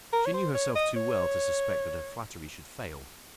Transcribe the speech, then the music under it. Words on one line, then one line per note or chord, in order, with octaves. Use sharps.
She knew herself too well to suspect that her flattery should fail.
A#4
C#5
C5
C#5
D#5
C#5